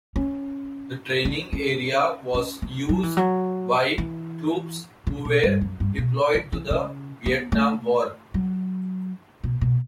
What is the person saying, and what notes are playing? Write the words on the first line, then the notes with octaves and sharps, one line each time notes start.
The training area was used by troops who were deployed to the Vietnam War.
C#4
D4
C#4
C#4
B3
F#3
E3
F#3
E3
C#3
B2
G2
F#2
G2
B2
D3
E3
C#3
B3
A3
F#3
B2
B2